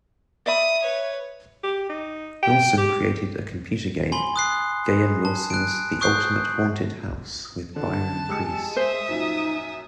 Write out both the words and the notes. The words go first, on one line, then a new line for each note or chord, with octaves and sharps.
Wilson created a computer game, "Gahan Wilson's The Ultimate Haunted House", with Byron Preiss.
D5 E5 B5 D#6
B4 C#5
G4
D#4
G5
G4
G#5 B5 C6 G7
D#6 F#6 C7
A5
F#6 D7
C#6 D#6 F#6 G6 C7
D3 A5
G#3 G4 E6 C#7
C5 E5 D#6
F#2 A#2 F3 D#4